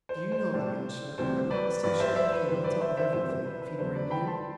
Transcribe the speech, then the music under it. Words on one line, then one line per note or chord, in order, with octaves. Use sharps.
Do you know, Alyosha, I promised him champagne on the top of everything, if he'd bring you?
C5
C5
A2 G3 D4
D2 C3 E3 G3 C5
B4 D5
G2 E3 G3 B4 D5
C5 E5
C5 E5
B4
F#2 E3 G3 C5
B4 D5
C5 E5
C5 E5
F#2 E3 G3 C4 C5 E5
C5
B4
B4
E2 D3 F#3 A3 D4 C5
B4 D5
G5 B5
A5 C6